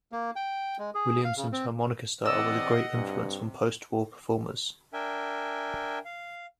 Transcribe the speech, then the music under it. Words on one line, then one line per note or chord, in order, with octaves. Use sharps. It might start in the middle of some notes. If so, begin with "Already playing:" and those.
Williamson's harmonica style was a great influence on postwar performers.
A#3
G5
G#3
G#4
F5
C#3
C4
E2 C3 D5 D#5 F#5 E6
G2 C3
D4 A#4 E5 G5 G#5
F5